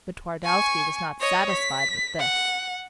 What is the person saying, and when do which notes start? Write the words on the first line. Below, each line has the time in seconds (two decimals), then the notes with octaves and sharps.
But Twardowski was not satisfied with this.
0.45 G#5 C#6
1.21 C#5 D#5
1.52 B6
2.19 F#5